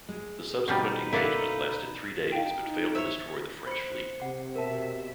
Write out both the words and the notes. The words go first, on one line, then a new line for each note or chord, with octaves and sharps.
The subsequent engagement lasted three days but failed to destroy the French fleet.
G#3
B2 F3 G3 D#4 B4
E4 A4 A#4 D5 F5 F#5
D#4 E4 F5 G5
C5 C#5 E5
C5 B5 C#7
C3 F#5 D6
B2 A#4 E5 A5